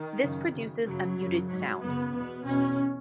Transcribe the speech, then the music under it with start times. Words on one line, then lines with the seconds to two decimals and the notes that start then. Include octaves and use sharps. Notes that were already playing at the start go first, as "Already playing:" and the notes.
This produces a muted sound.
Already playing: D#3
0.19 F#2 C#3
0.51 F#2 C#3
0.83 F#2 C#3 F#3
1.16 F#2 C#3
1.48 G#2 F#3
1.80 F#2 C#3 B3
2.12 E2 B2 B3
2.44 E2 B2 C#4